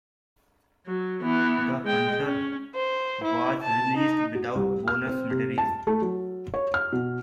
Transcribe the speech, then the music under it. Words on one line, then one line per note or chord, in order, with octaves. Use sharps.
"The Hunter" was released without bonus material.
F#3
E3 B3
G#3 G5
C#4
C5
E4
A5
D#4
F#4
C2
F6
C4
C3
A5
A3
F#3
C#5
F6
B2